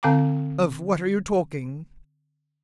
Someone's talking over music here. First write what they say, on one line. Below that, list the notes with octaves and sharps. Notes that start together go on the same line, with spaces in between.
"Of what are you talking?"
D3 C4 F5 G5 A#5 D6